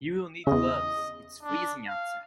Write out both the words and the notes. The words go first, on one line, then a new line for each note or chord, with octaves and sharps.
You will need gloves; it's freezing outside.
E2 C#3 D#5
D4
F5